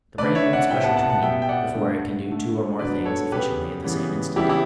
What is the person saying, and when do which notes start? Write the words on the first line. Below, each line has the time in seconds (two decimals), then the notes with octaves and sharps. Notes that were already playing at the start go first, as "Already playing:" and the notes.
The brain needs special training before it can do two or more things efficiently at the same instant.
0.18 D3 A3 B4 D5
0.35 C#5 E5
0.53 D5 F#5
0.70 A2 G3 B3 E5 G5
0.84 F#5 A5
0.97 F#5 A5
1.10 F#5 A5
1.22 B2 G3 B3 E5 G5
1.42 G5
1.49 D5 F#5
1.74 D3 A3
2.28 D3 A3
2.79 D3 F#3 B3 B4 D5
3.05 A4 C#5
3.32 C#3 G3 B3 G4 B4
3.84 C#3 E3 G3 B3
4.36 C#3 E3 G3 B3 E4 G4
4.49 E4 G4